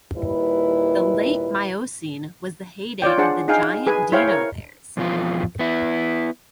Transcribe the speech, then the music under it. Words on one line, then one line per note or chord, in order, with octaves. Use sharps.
The late Miocene was the heyday of the giant deinotheres.
D#2 A#2 G3 E4 B4
F4 C#5 D5 G5
D4 G#4 C5 F#5 A5
D#4 G#4 F5 G5 G#5
G#4 B4 G#5
E4 C5 C#5 F5 G5
A#4 C#5
F2 B2 E3 F3 F4
B3 E4